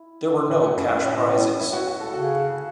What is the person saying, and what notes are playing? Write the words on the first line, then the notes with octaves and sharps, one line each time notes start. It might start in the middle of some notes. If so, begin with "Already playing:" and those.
There were no cash prizes.
Already playing: E4
A2 E4
F#4
F#2 E4
C#4
A2
E4
F#4
F#4
A4
C#3 F#4